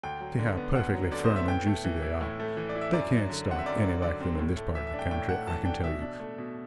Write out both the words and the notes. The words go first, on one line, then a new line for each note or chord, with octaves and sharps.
See how perfectly firm and juicy they are--they can't start any like them in this part of the country, I can tell you.
D2 G5
F#3
D3
B3
D2 F#5
F#3
D3 D5
C5
B3
E5
A2 G5
A3
E3
E4
A2
A3
E3
D5
E4
E5
F#2 D5
F#3
D3
C4 F#5
E5
F#2 D5
F#3
D3 D5
C4
A2
A3
E3 E5
E5
D4
G5
A2 G5
A3 F#5
E3 A5
D4 G5
B2 E5
D4
A3
B2